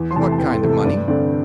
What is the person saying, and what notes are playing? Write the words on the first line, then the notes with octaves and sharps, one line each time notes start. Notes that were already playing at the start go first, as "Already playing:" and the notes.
"What kind of money?"
Already playing: E2
C6
C3 E3 A3 A5
A5
E2 G5
A4
C3 E3 A3
A4
G2 D5
D3 A3 C4 D5